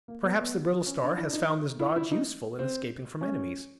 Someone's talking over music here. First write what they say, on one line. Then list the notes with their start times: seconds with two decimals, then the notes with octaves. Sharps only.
Perhaps the Brittle Star has found this dodge useful in escaping from enemies.
0.08 A#3
0.23 B3
0.39 B3
0.86 C#4
1.02 D4
1.18 E4
1.27 D4
1.33 D#4
1.80 E4
1.96 E4
2.12 D#4
2.59 C4
3.21 C#4